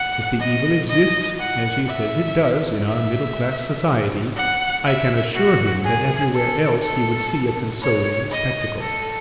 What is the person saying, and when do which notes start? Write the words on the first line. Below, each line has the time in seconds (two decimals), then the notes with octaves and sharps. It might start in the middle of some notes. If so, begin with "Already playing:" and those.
If the evil exists, as he says it does, in our middle-class society, I can assure him that everywhere else he would see a consoling spectacle.
Already playing: F#5
0.40 D#5
0.89 D#5
1.39 F#5
1.88 E5
2.87 E5
4.36 F#5
4.85 E5
5.34 F#4
5.84 G#4
6.33 A4
6.83 A4
7.82 C#5
8.31 D#5
8.81 A4